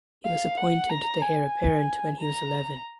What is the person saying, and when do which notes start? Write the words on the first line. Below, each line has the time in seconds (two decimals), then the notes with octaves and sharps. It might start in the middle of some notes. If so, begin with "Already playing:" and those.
He was appointed the heir apparent when he was eleven.
0.25 F5
0.57 F#5
0.89 A#5
1.22 G#5
2.20 A#5